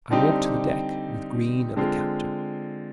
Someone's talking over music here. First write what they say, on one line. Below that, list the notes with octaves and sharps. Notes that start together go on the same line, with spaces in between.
I walked the deck with Green and the captain.
D3 G3 C4 D#4 G4
D3 G#3 C4 F4